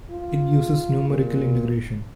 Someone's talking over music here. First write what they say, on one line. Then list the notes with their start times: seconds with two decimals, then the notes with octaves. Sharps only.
It uses numerical integration.
0.11 F4
1.09 A#2